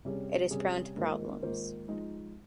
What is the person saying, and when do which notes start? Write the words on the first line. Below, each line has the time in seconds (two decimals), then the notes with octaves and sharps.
It is prone to problems.
0.05 C3 G3 C#4 G#4
0.51 C3 G3 C#4 G#4
0.96 G#2 D#3 A#3 F4 C5
1.43 G#2 D#3 A#3 F4 C5
1.88 F3 G#3 D#4